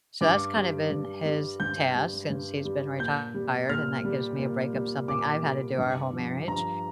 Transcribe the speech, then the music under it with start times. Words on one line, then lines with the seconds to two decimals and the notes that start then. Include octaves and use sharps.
so that's kind of been his task since he's been retired, and that gives me a break of something I've had to do our whole marriage,
0.21 G2 D6
0.56 G3
0.91 G2
1.26 G3
1.60 G2 G6
1.95 G3
2.30 G2
2.65 G3
2.99 A#2 G6
3.34 G3
3.69 A#2 F6
4.05 G3
4.39 A#2
4.74 G3
5.08 A#2 D6
5.43 G3
5.78 G2
6.13 F3
6.48 G2 A#5